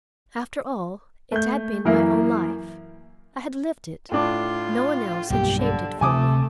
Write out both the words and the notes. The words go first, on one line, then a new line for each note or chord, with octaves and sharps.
After all, it had been my own life; I had lived it; no one else had shaped it for me.
A3 G6
F#2 E3 A#3 E4 A#4
A2 D4 F4 D6
B1 G2 A#3 G4
D3
D2 C3 A3 G#5 D6 D#6